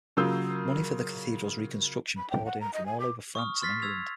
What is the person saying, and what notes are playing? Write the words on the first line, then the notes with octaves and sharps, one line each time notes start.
Money for the cathedral's reconstruction poured in from all over France, and England.
C#3 F#3 A#3 F4 E6 G6
B5
G5
F#5
A#5
D#5
G#5
D6
C#6 D#6 F6
C6 F6 A6 B6 C7
E6 G#6 F7